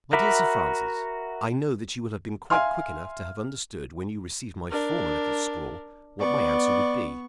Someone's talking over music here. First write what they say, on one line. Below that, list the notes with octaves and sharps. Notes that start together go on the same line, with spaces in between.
MY DEAR SIR FRANCIS,--I know that you will have been quite quick enough to have understood when you received my former little scrawl what my answer would be.
F#4 A#4 E5 B5 D6
E5 F5 G#5 C6 F6
D4 A#4
B3 D5 C#6